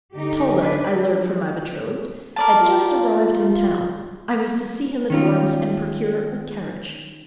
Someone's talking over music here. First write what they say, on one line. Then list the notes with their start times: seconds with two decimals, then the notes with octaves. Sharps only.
Talbot, I learned from my betrothed, had just arrived in town. I was to see him at once, and procure a carriage.
0.14 D3 D#4 G4
0.58 D4 B4
2.36 A#4 D5 A5
2.60 F4
5.10 D#3 C#4 F4